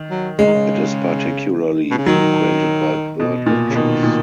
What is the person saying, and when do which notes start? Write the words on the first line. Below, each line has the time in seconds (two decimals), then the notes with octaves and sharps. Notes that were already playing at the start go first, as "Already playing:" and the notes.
It is particularly frequented by bird watchers.
Already playing: D#3
0.11 F#3
0.39 C#3 G#3
0.46 D#3
0.54 C#3
1.91 B2
1.98 C#3
2.06 D#3 F#3
3.20 B2
3.46 A#2
3.70 C#3
3.75 B2 D#3
4.03 A#2